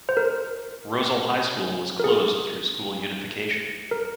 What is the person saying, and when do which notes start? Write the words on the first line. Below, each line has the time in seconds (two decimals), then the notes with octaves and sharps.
Rozel High School was closed through school unification.
0.09 C5
0.17 A#4
2.00 A#4
2.04 G#4
3.91 A#4